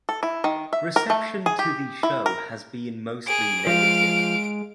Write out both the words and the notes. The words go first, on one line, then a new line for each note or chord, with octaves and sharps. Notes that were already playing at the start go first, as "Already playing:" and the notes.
Reception to the show has been mostly negative.
A4
E4
D#3
E5
A#4
A3
G#4
G4
E4
A#4
G#4 D7
F3 G#3 F5